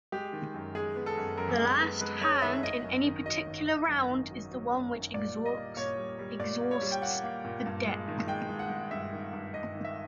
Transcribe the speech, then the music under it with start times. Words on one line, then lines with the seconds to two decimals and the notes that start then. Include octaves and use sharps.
The last hand in any particular round is the one which exhausts the deck.
0.12 G#3 G4
0.33 D#3
0.54 F#2
0.75 G#3 G#4
0.96 B3
1.06 A4
1.17 F#2
1.37 F#2 A#4
1.59 G#3
1.80 B3
2.01 G#3 B4
2.21 G#3 C#5
2.42 D#3 E5
2.63 G#1 D#5
2.84 F#2
3.05 D#3
3.26 F#3 D#5
3.47 G#1
3.68 G#1
3.89 F#2
4.10 D#3
4.31 F#3
4.51 F#3
4.72 F#2
4.93 G#1
5.14 A#2 D5
5.35 G3
5.45 D#5
5.56 A#3
5.77 A#2 C#5
5.97 G3
6.19 G3
6.40 A#2 D5
6.61 A#3
6.71 C#5
6.81 G3
6.92 G5
7.02 A#3 F#5
7.23 A#3
7.45 A#2
7.66 G2
7.86 G#3
8.07 D#3
8.27 G#3 G5
8.49 G#3
8.59 F#5
8.70 G#3
8.91 G2 E5
9.12 D#3
9.32 G2
9.54 G2 D#5
9.75 D#3
9.85 E5